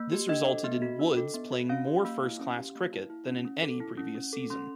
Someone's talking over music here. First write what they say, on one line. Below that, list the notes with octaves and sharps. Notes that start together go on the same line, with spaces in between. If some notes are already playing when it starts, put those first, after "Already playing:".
This resulted in Woods playing more first-class cricket than in any previous season.
Already playing: A#3
G4
D4 D#5
A4
B3
F#4
D4
A4
B3
F#4
C#4 F5
G4
A#3
E4
C#4
G4
A#3
E4
E4
C#4
C#4
A4
E4
C#4
C#4
A4
C#4 C6